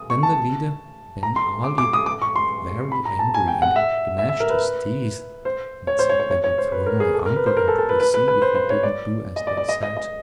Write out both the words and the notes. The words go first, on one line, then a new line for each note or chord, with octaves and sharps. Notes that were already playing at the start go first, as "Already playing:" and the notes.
Then the leader, Ben Ali, got very angry and gnashed his teeth, and said they would throw my uncle into the sea if he didn't do as they said.
Already playing: D#6
C#6
A5
A#5
C6
D6
D6
D#6
D6
C#6
C6
B5
A#5
A5
G#5
G5
F#5
E5
E5
E5
A#4
B4
C5
C#5
C5
C#5
C#5
C#5
C#5
C5
B4
A#4
G#4
A4
A#4
B4
C5
A#4
A4
A4
B4
B4
B4
B4
C5
C5
C#5
D5
D#5
D5
D5
D#5
D#5
D#5